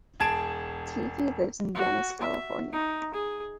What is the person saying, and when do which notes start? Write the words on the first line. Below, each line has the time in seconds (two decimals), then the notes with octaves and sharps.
Teefy lives in Venice, California.
0.20 E1 G#4 A5 G#6 D7 E7
1.75 F#4
2.21 E5
2.73 D#4
3.14 G#4